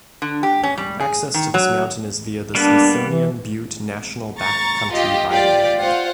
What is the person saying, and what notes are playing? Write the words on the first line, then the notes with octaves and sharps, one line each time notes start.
Access to this mountain is via the Smithsonian Butte National Back Country Byway.
D3
G4
C#4
G3
G#4
D#3
F#3
G3 A#3 B3 D4
E3
A#5 C#6 A6
F4 G4 D#5
F4 G4 D5
F4 C5 F5 F#5